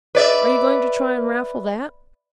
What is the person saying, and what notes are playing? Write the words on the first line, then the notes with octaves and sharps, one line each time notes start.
"Are you going to try and raffle that?"
B4 D5 E5